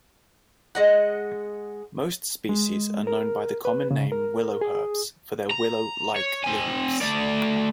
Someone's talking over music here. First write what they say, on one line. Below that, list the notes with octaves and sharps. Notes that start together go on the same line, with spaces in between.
Most species are known by the common name willowherbs for their willow-like leaves.
G#3 D#5 F#5
G#3
A#4
B4
C#3
A#4
G#4
A#5
C#5
C4 G#5
A3 D5